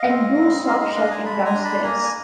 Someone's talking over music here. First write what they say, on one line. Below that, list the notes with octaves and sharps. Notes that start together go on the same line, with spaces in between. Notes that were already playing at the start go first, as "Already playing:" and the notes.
And do stop shouting downstairs.
Already playing: D#5 F5
C4
C4
G#3 D#5 F5
D#5 F5
D4 D#5 F5
G#5 A#5
G#3 A5 B5
G#5 A#5
D4
A5 B5
A#3 G#5 A#5
G#5